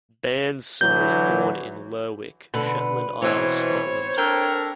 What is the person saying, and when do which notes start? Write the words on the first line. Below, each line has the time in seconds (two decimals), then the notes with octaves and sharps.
Bairnson was born in Lerwick, Shetland Isles, Scotland.
0.81 D3 E3 F#3 G6
2.54 B2 D3 B4
3.22 B2 E3 C4 C5 C#5
4.18 D4 A4 A#4 G5